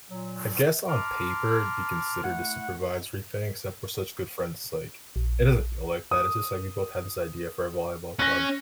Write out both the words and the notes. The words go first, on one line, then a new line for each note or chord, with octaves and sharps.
I guess on paper, it'd be considered a supervisory thing, except we're such good friends, it's, like it doesn't feel like that, it's just, like, we both had this idea for a volleyball club.
A#2 F#3
A5 A#5 C6 D6 F6
A3 E4 F#5
A#1
D#6
C#4 F#6 A#6